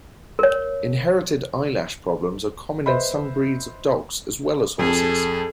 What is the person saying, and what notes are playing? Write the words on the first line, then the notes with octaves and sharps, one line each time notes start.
Inherited eyelash problems are common in some breeds of dogs as well as horses.
A#4 C#5
B4 C5 D#5 E5 B5
F2 G#4 A4